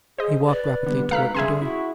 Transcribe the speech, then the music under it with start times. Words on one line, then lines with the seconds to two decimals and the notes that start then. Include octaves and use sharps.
He walked rapidly towards the door.
0.18 G#4 C5 D#5
0.49 B4 D5
0.86 D3 G3 B3
1.11 G#2 B2 A4 F5 A#5 F#6 B6
1.35 G2 C#3 G#4 E5 G#5 C6
1.62 E4 F#4